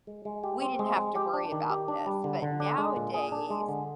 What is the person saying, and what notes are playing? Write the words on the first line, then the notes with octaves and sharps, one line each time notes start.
We didn't have to worry about this, but nowadays
G#3
G#3
G4
C4
G#3
G#3
G4
D4
D#3
G4
D4
G3
D3
D3
D4
G#3
A#2
G#4
D4
G#3
D3